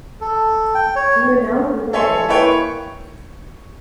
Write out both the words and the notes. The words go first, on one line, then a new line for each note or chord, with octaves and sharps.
Do you know who that is?
A4
G5
C#5
A4 C#5 E5 G#5 C6
A#3 E4 B4 C#5 G5
C#6